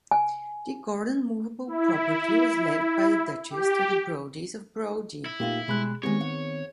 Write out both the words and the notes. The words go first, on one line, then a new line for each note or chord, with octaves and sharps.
The Gordon "moveable" property was left by the Duchess to the Brodies of Brodie.
G#5
E4
G4
E4
A#2 A3 A#3 D#4 F4 G4
B2 G3 G#3 B5 F#6
D#3 G#3 B3 C4 G4 C#5
F#5